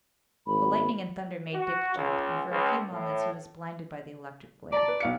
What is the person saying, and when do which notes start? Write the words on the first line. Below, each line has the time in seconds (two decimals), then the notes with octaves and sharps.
The lightning and thunder made Dick jump, and for a few moments he was blinded by the electric glare.
0.47 G#1 B5
1.54 F#4
1.95 C#2
2.49 C#2
2.91 A2
4.72 D5 A5 A#5
4.88 B4
5.00 B1 F5 C#7